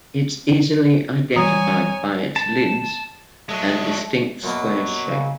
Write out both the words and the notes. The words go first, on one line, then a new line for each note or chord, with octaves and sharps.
It is easily identified by its "lids" and distinct square shape.
E3 G3 C#5 G#5 A#5 D#6
A5
F#3 G#3 A3
F#2 B2 F#3 A#3
C#3